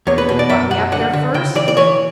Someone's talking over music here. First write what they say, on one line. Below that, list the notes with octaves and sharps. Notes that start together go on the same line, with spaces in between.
"Want me up there first?"
E2 C#5
B4
B2
D5
F#2 E5
F#2 F#5
D3 F#5
D3
C#3 G5
E3 D5
D5
E3 C#5